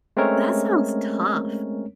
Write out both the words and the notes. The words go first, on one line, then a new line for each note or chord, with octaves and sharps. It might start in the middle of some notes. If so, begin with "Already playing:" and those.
That sounds tough.
G#3 A3 C4 C#4 A#4 C#5